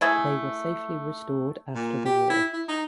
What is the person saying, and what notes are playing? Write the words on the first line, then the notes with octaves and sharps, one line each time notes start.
They were safely restored after the war.
A3 E4 G#4 A4
A#2
G4
E4
E4
D#4